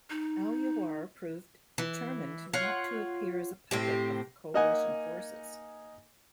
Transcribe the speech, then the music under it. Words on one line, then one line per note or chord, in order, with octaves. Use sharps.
Al-Yawar proved determined not to appear as a puppet of the Coalition forces.
D#4
E3
F4 C#5 F#5
A2 C4 G4
A#3 D#4 D#5 F#5 G#5